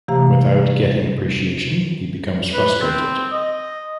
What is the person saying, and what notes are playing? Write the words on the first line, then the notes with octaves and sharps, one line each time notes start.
Without getting appreciation he becomes frustrated.
C3 E3 A3 G4 F5 A#5
B4
C4
D#5